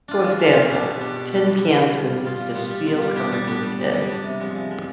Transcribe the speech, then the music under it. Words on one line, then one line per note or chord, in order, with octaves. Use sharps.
For example, tin cans consist of steel covered with tin.
D4 F4
G#3
D4 F4
B2
B3 D4 G4
B2
B3 D4 G4
B2
B3 D4 G4
B2
B3 D4 G4
G3
B3 F4
G3
B3 F4
G3
B3 F4
G3
B3 F4
G3
B3 D4 G4
G3
B3 D4 G4
G3
B3 D4 G4
G3
B3 D4 G4
C3
F3 G#3 B3
C3
F3 G#3 B3